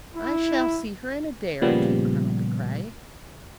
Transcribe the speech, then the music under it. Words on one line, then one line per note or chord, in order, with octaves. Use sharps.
"I shall see her in a day or two, Colonel De Craye."
E4
A#2 C#3 F3 G3 B3